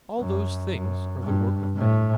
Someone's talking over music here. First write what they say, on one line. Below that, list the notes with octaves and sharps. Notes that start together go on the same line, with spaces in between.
All those things are the work of men.
F#2
F#2
G2
A2